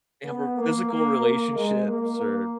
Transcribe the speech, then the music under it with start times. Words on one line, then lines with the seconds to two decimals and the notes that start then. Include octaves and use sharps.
they have more physical relationships or
0.24 B3
0.57 A#3
0.90 A#3
1.22 A#3
1.55 G#3
1.87 A#3
2.19 A#3